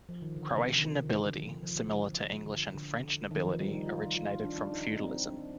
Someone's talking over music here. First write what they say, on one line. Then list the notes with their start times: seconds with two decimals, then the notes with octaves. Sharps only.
Croatian nobility, similar to English and French nobility, originated from feudalism.
0.09 F3
0.22 D#3
0.36 D3
0.50 C3
0.65 D3
0.78 D#3
0.92 D3
1.06 D3
1.21 D#3
1.35 F3
1.63 F3
1.91 D3
2.47 D3
2.75 D3
3.31 D#3
3.45 F3
3.60 G3
3.74 D#4
3.87 F4
4.16 F4
4.44 D4
4.58 D4
4.72 D#4
4.87 D#4
5.01 C4
5.28 D4